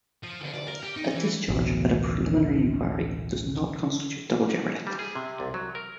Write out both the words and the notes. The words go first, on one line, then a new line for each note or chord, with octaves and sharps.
A discharge at a preliminary inquiry does not constitute double jeopardy.
F3
D3
D5
A#4
G4
D#4
E3
A1 D2 B2
G3
G#4
C3
C2
F#3
A#4